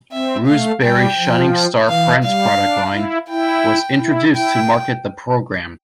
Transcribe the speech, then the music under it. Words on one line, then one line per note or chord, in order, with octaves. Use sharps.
Russ Berrie's Shining Star Friends product line was introduced to market the program.
C4 E5
A3 F5
G3 G5
F3
E3 F5
G3 F5
D4
E4
E4 G5
E4
E4 G5